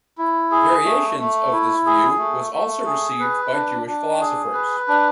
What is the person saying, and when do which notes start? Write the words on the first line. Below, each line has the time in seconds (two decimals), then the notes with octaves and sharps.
Variations of this view was also received by Jewish philosophers.
0.18 E4
0.51 G#4
0.85 A3
1.19 A3
1.52 E4
1.86 G#4
2.19 A3
2.52 A3
2.86 G#4
3.20 B4
3.53 D4
3.87 D4
4.21 G#4
4.53 B4
4.88 D4